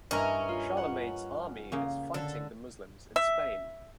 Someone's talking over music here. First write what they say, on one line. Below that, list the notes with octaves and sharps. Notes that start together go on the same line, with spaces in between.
Charlemagne's army is fighting the Muslims in Spain.
G2 C#4 E4 A#4 B4 D#5 A#5
F4
F#5
C#3 A#3 C#4
D3 A4
E5